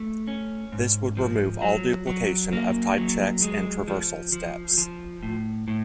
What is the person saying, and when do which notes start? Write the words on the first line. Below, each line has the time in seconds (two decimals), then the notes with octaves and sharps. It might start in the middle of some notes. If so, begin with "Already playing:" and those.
This would remove all duplication of type checks and traversal steps.
Already playing: A3
0.28 C#4
0.72 G#2
1.17 F3
1.62 F#3
2.07 F#3
2.53 A#3
2.97 F#3
3.42 G#3
3.88 F3
4.32 F3
4.78 F3
5.23 A2
5.68 A2